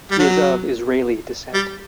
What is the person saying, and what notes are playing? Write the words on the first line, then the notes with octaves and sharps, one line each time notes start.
He is of Israeli descent.
G3
F#3
G3